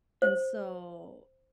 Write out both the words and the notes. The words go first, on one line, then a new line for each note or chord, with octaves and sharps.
and so
C5